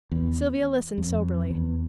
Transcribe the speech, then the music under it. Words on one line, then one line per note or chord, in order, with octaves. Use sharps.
Sylvia listened soberly.
E2
F2
E2